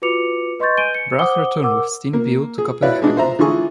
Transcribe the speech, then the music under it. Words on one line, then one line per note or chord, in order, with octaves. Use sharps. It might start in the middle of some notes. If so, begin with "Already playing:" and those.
Brahe returned with Steen Bille to Copenhagen.
F4 F#4 B4 D6 C#7 F7
B4 D#5 C6 C#6 G6 A6
G#5 G6 D7 D#7 G7
C#7
C5 F#5 D6 D#6 G7
A#4 F#5 D6 E6
A#3
G#4
E4 F#4 B4 C#5 D5 F5
G#3 D4 F#4
C5 E5 A#5
D3 E3 F4 G#4 G#5 C#6